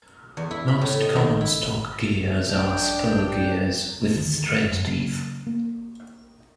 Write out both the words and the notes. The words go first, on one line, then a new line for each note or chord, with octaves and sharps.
Most common stock gears are spur gears, with straight teeth.
E2
E4
B5
A2
D#5
D#3
E4
D4 G5
D1 G1 D3 D#3
E1 F#2
C#3 F#3 A#3 C#4
A#3